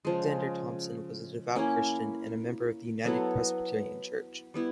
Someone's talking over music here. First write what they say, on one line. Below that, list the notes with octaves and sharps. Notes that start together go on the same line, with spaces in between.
Alexander Thomson was a devout Christian and a member of the United Presbyterian Church.
C#3 F3 G#3
A#3 C#4 E4
F#3 B3 E4 A4
G3 B3 E4